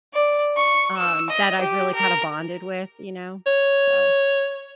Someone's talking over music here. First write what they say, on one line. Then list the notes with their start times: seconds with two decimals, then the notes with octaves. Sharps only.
um, that I've really kinda bonded with, you know? So.
0.13 D5
0.56 C#6
0.97 E6
1.30 D#5
1.61 G4
1.94 A#4
3.46 C#5